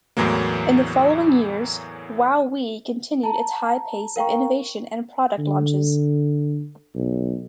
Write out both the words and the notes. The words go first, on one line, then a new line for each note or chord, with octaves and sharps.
In the following years, WowWee continued its high pace of innovation and product launches.
E2 A2 E3 F#3 A#3
A5 A#5
A#4 F5 G5 A#5 C#6
D3
B1